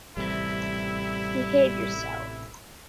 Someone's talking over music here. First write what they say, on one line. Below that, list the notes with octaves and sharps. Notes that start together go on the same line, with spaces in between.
Behave yourself!
A1 C3 G3 E4